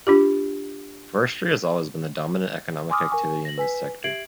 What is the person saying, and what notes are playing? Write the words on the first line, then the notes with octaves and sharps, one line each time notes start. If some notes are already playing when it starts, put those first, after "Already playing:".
Forestry has always been the dominant economic activity in this sector.
D4 F4 G4
G#5 C6 D6 D#6 F6
A#4 G#5 C#6
A#6 F#7
B4 G#5 B6
G4 E5 G#6 C7 D7 F#7